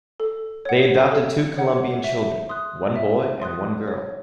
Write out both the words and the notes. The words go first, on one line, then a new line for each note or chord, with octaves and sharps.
They adopted two Colombian children, one boy and one girl.
A4
C#5 F#5
A4
C#5 F#5
E5
C6 D#6 F#6
E5
C6 D#6 F#6
C#5